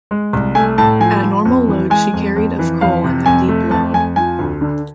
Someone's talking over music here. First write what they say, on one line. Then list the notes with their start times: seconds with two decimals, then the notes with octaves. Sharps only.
At normal load she carried of coal and at deep load.
0.11 G#3
0.33 C2
0.55 A3 G#5
0.78 A2 A5
1.00 F3 G#5
1.23 F3
1.45 F2
1.68 E3
1.90 G#3 G#5
2.13 F2
2.36 F2
2.59 E3
2.81 F2 F5
3.04 C3
3.26 F2 G#5
3.48 A3
3.70 F2 A5
3.94 F2 G#5
4.16 F3 G#5
4.39 D2
4.61 D3